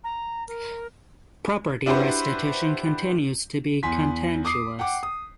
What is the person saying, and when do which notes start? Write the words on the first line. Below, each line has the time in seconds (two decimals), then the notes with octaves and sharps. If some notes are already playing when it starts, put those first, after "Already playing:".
Property restitution continues to be contentious.
0.03 A#5
0.47 A#4
1.86 D4 E4 F#4 G4 B4 C5
3.83 E2 G#5 C6 B6
4.45 D6 D#6 C7
4.79 F#5 G5 D6
5.03 D#6